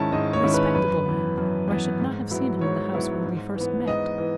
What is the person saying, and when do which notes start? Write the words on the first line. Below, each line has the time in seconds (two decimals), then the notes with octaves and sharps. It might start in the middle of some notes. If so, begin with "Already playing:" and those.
"A respectable man, or I should not have seen him in the house where we first met."
Already playing: G#2 D#3 G#3 C#4 E4 A5
0.12 G#2 D#5
0.33 C#5
0.43 D#3 G#3 C#4 E4
0.54 B4
0.74 F#2 B4
1.05 E3 B3
1.38 F#2
1.68 E3 B3
1.99 G#2
2.31 F#3 B3 E4
2.61 G#2 C#5
2.93 F#3 B3 E4
3.24 G#2
3.56 E3 B3
3.87 G#2 D#5
4.18 E3